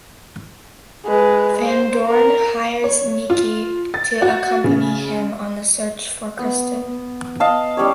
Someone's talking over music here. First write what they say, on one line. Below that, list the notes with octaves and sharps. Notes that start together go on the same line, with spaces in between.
Van Dorn hires Niki to accompany him on the search for Kristen.
G#3 B4
C5
A#4
C#5
F4
A6
F#4
C#3
B3
D#5 F5 A5
G3 C#4 G4 C#5